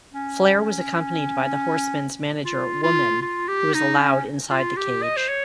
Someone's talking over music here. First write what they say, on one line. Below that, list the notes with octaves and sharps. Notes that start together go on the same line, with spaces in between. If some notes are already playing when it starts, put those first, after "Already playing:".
Flair was accompanied by the Horsemen's manager Woman who was allowed inside the cage.
C#4
F4
F4
F4
G4
D#4
C#4
F4
G4
D#5
C5
C#5